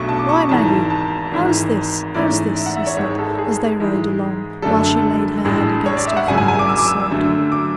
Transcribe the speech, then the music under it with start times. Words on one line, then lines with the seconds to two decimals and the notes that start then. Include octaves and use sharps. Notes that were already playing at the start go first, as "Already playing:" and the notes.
"Why, Maggie, how's this, how's this?" he said, as they rode along, while she laid her head against her father and sobbed.
Already playing: B1 B2 A3 D4 C#6
0.09 A5
0.19 D6
0.29 C#6
0.49 G#1 G#2 E3 A5
0.90 A5
1.31 G#1 G#2 E3
2.15 G#2 E3 A3 C#4 D5
2.56 E5
2.66 F#5
2.76 E5
2.87 C#5
2.97 G#1 G#2 G#3 C#5
3.18 A4
3.38 G#4
3.80 G#2 E3 G#3
4.62 F#1 F#2 D3 A3 D4 A4
5.45 A1 A2 G#3 D4
5.86 C#5
5.97 D5
6.07 E5
6.17 F#5
6.27 G#1 F#2 C#3 G#5
6.38 G#5
6.48 G#5
6.59 D6
6.69 E6
6.78 D6
6.88 E6
7.11 F#2 D3 A3
7.52 D6